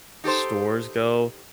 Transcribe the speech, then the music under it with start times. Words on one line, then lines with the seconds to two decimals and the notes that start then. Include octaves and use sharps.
stores go,
0.24 D#4 G4 A4 C5